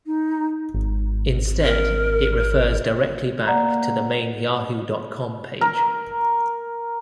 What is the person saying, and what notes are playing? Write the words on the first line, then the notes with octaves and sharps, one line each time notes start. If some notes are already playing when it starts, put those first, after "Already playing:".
Instead, it refers directly back to the main Yahoo dot com page.
D#4
G#1
A#4
A#3 D5 F#5 A#5
A#4